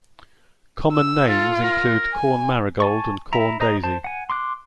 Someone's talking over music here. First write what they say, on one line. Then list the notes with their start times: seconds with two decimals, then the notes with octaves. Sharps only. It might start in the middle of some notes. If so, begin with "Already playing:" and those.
Common names include corn marigold and corn daisy.
0.92 E6
1.29 F4 A4
1.62 A#4
2.14 G#5
2.80 G#5 A5 C#6
3.33 E4 E5 A#5
3.60 C5 D#5 A#5
3.84 C5 A5
4.04 F#5 G#5
4.30 C6 D6 F#6